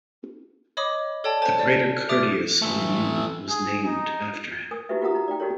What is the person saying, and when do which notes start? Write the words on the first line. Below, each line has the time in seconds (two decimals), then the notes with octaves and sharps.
The crater Curtius on the Moon was named after him.
0.77 C#5 D#5 B5 D6 D#6
1.24 A4 C#5 D5 G5 A5
1.42 C5 G#5 A5
1.59 D5
2.09 G4 E5 D6 D#6 A6 D7
2.62 E3 A3
3.49 G#4
3.86 D#4
4.71 A#4 G#5 D#6
4.89 D#4 E4 F#4 G4 B4 E5
5.01 F4 G4 A#4 F#5 A#5 D#6
5.14 D#4 A#5
5.28 D5 G5
5.40 D#4 F#4 G4 A4 A#4 C#5